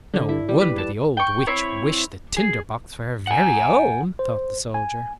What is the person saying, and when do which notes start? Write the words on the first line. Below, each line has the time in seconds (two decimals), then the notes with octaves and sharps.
"No wonder the old witch wished the tinder-box for her very own," thought the soldier.
0.14 D3
0.29 E4
0.49 G3
0.61 B4
0.78 A5
1.17 G5 C#6
1.47 C4 E4 C#5
2.37 G#4
3.27 F#5 G#5
4.19 C5
4.74 G#5